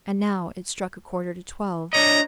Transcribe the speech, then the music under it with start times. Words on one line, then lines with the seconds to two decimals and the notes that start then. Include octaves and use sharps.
And now, it struck a quarter to twelve.
1.93 D4 C#5 D#5 A#5